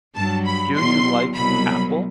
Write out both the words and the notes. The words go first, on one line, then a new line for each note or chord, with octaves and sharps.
Do you like apple?
G2 F#3 A5
B5
E2 B2 F#3 C6
C2 B2 F#3 B5